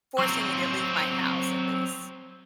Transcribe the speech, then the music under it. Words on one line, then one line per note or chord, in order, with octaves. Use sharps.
forcing me to leave my house, at least,
F#3 C4